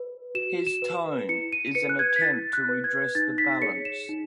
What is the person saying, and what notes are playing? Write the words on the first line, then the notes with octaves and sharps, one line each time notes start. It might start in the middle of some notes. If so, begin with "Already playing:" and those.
His tome is an attempt to redress the balance.
Already playing: B4
F#4 E7
E7
B4
E4 C#7
D#7
D#7
B4 C#7
F#6
G#6
B6
E4 A6
F#6
B4
G#6
D#4 A6
B6
G#4 C#5 C#7
E7
D#4